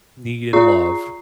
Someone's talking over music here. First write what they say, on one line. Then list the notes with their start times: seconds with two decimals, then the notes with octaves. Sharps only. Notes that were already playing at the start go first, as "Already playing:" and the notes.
need, and love,
0.53 F4 G#4 A#5 C#6 C7